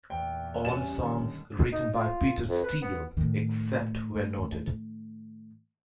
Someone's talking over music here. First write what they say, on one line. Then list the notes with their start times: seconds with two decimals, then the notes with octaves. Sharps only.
All songs written by Peter Steele, except where noted.
0.10 E2 A#2 G5
0.65 G3 C#4 E7
0.96 D3 D#3
1.72 D#4
1.95 F4
2.49 F2
2.63 B4
2.82 B3
3.17 A2 D#3